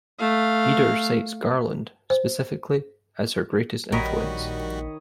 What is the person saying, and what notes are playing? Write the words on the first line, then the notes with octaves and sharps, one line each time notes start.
Eder cites Garland, specifically, as her greatest influence.
A3 F5
C5
A#1 D#3 G3 F#4 A#4 C#5 D#5 B5